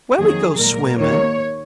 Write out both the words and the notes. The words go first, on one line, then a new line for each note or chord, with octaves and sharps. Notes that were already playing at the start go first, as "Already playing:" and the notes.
"Where we go swimmin'?"
F2 D#3 F#3 A#3 G#4
A#2 G#3 A#4
D#2 D#3 A#3 C#5